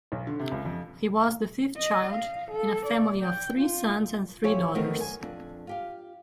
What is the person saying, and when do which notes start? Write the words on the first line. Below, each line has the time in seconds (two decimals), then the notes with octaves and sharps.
He was the fifth child, in a family of three sons and three daughters.
0.12 B1
0.27 D3
0.39 C3
0.51 C#2
0.65 F2
1.77 D#5
2.13 F5
2.51 A4
2.85 D5
3.22 G5
3.58 F4
4.44 F3 E4 G4 C#5 G#5
4.75 D#3 A3 B3 C4 D#4 A#4
5.00 F#2 G#5
5.21 F2 D4
5.67 F4 G4 F5